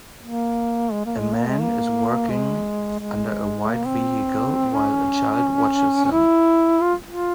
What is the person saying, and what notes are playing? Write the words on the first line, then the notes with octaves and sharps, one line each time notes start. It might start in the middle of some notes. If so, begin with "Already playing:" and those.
A man is working under a white vehicle while a child watches him.
A#3
G#3
A#3
G#3
A#3
G#3
A#3
G#3
G#3
A#3
C4
C#4
C#4
E4
F4
F4